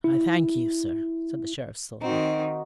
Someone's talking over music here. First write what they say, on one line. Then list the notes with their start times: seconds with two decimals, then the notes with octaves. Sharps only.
"I thank you, sir," said the Sheriff slowly.
0.04 E4
2.01 D#3 C4 D#4 F#4